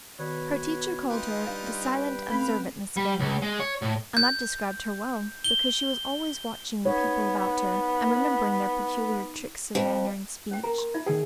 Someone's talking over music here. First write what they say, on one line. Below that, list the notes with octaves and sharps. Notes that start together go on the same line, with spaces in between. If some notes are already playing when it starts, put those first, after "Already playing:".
Her teacher called her "the silent, observant Miss Fanny," and that described her well, because she was always watching the people about her, and remembering their peculiar tricks of manner and speech.
B2 D#3 B4 C#5
D#4 F4 B4 G5
G2 F5
C#2 C4 A4 F5 B5
G3
C#2
G#3
C#5
A2
G6
G7
B3 D#4 C#5
F2
C#4 G5
A#4 A#5
C6
D#4 F4 E5
D#3 G#4 A#4 G5 G#5